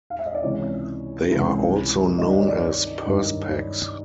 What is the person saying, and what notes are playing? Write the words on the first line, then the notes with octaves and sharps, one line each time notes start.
They are also known as purse packs.
F5
E5
D#5
D5
C#2 C3 E3 C#5
C#2 C3 E3
G2 D#3 D#5
D5
C#5
D5
G2 D#3